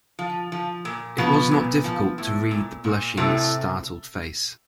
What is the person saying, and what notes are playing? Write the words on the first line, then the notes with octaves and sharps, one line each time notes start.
It was not difficult to read the blushing, startled face.
F3
F3
A#2
B2 F3 B3
A#2
F3
A2
A#2
A#2
A2 C3 A3